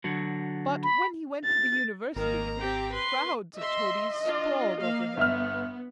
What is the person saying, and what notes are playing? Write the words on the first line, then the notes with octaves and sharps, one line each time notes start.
But when he went to the University, crowds of toadies sprawled over him.
D3 F#3 F#4
B5
A6
G#1 D#3 A#3 A#4 A#5
C4 G4 G5
B4 C6
D#5 E5 C6
D4 F4
A#3 F5
G1 B3 E5 F6